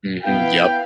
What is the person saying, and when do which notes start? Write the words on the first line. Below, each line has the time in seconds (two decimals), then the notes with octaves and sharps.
Mhm. Yep.
0.23 B3 E4 F5 G5